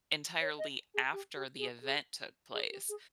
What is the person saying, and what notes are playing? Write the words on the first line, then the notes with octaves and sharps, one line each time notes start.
entirely after the event took place,
C#5
D#5
G#4
G4
G4
G#4
G#4
G#4
G4
G#4